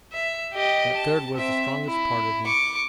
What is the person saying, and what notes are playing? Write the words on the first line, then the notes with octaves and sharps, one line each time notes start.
That third was the strongest part of me.
E5
G4 D#5
A5
C4 E5
E4
C#6 D6